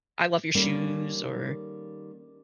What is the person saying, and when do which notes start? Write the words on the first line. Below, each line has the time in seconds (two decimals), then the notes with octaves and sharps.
"I love your shoes" or,
0.55 D#3 G3 A#3 C#4 A4